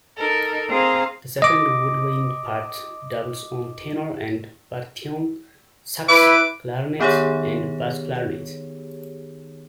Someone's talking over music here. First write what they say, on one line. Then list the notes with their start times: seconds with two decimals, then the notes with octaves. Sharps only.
The second woodwind part doubles on tenor and baritone sax, clarinet, and bass clarinet.
0.16 D#4 A4 A#4
0.69 C4 G#4 C5 F5 A#5 C6
1.42 D#5 D6
6.09 E4 B4 D6
7.00 D#3 B3 D#4 G4 G#4 C#5